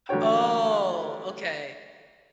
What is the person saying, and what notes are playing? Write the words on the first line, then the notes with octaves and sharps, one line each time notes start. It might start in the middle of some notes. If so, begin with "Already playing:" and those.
Oh, okay. B
A1 D3 F#3 C#5 G5